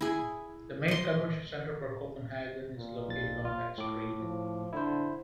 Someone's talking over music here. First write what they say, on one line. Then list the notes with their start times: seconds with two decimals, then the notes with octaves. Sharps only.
The main convention center for Copenhagen is located on that street.
0.01 E4 G#4
0.88 D#5 C6
2.77 A#2
3.08 B1 A6
3.45 F4
3.78 A2 D6
4.19 F3
4.73 D3 E4 C5